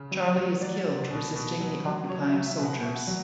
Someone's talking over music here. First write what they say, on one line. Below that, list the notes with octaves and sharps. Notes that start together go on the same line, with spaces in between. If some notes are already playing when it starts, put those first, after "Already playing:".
Charlie is killed resisting the occupying soldiers.
Already playing: C#3
F#3
F#3
F#3 D5
F#3
B2
B2
F#3
F#3
F#3 C#5
D5
E5
F#3
E5
B2
F#5
B2 E5
F#5
F#3